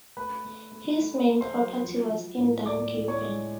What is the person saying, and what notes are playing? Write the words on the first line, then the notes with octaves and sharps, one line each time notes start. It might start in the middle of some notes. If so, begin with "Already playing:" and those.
His main property was in Dungiven.
A3 B4 B5
A3
A3
A3
A3
C5 C6
F#3
F3
F3
A2
A2 D5 D6
A2
C#5 C#6
G#3